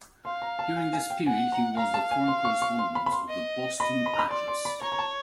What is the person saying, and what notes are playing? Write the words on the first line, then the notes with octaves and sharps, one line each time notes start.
During this period he was the foreign correspondent of the "Boston Atlas".
F5 C6
A#5
A5
G#5
G#5
G5
F#5 G#5
A#5
F5 A#5
A5
G#5
C6
C#6
C#6
C6
B5
B5
C6
D#5
D#5 B5
B5
A#5
B5
D5 C6
C6
B5
C#5 A#5
A#5
A5